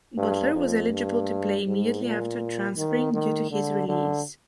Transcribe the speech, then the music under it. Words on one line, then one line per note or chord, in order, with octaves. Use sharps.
Butler was eligible to play immediately after transferring due to his release.
G2
F2
G2
G#2
A#2
D#3
D#3
D3
D3